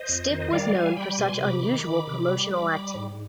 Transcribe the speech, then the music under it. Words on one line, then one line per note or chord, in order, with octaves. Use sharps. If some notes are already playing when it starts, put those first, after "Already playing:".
Stiff was known for such unusual promotional activity.
Already playing: C5 D#5
F2
D#3
D#5
G3 D5 F5
G3 F5 G#5
G3 G5 B5
B2 G#5 C6
C3 B5 D6
D#3
D#3 B5 D6
C3
G3
G3
G3
G#2